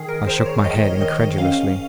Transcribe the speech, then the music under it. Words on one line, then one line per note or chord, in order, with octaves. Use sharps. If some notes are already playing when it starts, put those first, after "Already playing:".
I shook my head incredulously.
Already playing: D#3 G#4
A#4
D#3 C5
C#5
D#3 D#5
D#3 D#5
C#4 F5